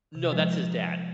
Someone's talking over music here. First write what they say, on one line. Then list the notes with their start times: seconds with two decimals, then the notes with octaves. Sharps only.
No, that's his dad.
0.15 C3
0.32 F3 G#3